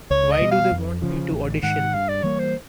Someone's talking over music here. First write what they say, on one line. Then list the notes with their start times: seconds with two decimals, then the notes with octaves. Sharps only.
Why do they want me to audition?
0.10 C#2 C#5
0.31 D#5
0.41 B2 G3
0.51 F5
0.72 F2
1.02 C#3 F3
1.32 A1
1.63 G#2 D#3 F#5
1.94 G2 F5
2.09 D5
2.23 E3 G3 A#3 C#5
2.39 C5